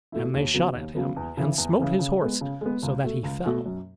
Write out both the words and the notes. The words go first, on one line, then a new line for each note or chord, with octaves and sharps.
And they shot at him and smote his horse so that he fell.
B2 A3 E4
D#2
C#3 F#3 B3
D#2
C#3 F#3 B3
E2
C#3 E3
E2
C#3 E3
C#3
G#3 B3
C#3
G#3 B3
C#2
B2 A3
C#2
B2 A3
F#2